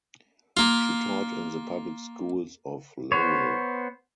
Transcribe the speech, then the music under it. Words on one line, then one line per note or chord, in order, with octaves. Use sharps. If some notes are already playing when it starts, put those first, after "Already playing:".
She taught in the public schools of Lowell.
A#3 F4
B3 C5 C#5